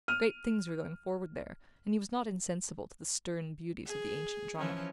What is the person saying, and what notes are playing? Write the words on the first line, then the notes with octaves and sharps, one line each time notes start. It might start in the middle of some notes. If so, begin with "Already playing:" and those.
Great things were going forward there, and he was not insensible to the stern beauties of the ancient drama.
F6 D#7
G#4
E3 F3 C#4